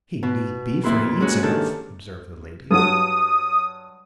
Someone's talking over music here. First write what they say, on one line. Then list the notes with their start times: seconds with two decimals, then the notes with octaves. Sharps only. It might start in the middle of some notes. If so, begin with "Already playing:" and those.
'He need be, for he eats enough,' observed the lady.
0.23 B2
0.84 F2 A#3 E4 B4 C6
1.21 G#3 C#4 F#4
1.43 D#3 D4 G4 A4
2.71 G2 F#3 D#6